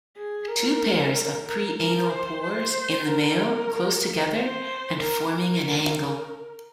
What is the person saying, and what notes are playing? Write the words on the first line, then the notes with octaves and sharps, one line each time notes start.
Two pairs of preanal pores in the male, close together, and forming an angle.
G#4
A#4
A#4
A#4
C5
C5
A#4
C5
A#4
A#4